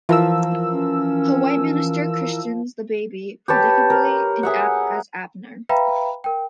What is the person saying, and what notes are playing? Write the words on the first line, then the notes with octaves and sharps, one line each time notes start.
A white minister christens the baby, predictably, as Abner.
E3 F3 A#4 E6
C#4
G4 B4 C#5 A5
A#4
G#4 E5 F#5
B4 E5 F5 G5 A#5 B5
A#4 G5